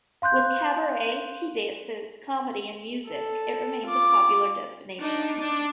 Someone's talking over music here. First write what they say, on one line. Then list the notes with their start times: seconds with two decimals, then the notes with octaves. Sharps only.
With cabaret, tea dances, comedy and music, it remains a popular destination.
0.22 F5 C6 F#6 G6
3.07 A4
3.86 F4 D6
5.00 D4 D#4
5.39 D4